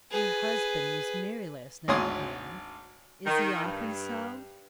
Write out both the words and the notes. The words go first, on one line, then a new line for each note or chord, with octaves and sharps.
'Your husband was merry last night, Helen: is he often so?'
G#4 B4
G#1 D2 C#5 G#5 C6 D#6
D#3
G2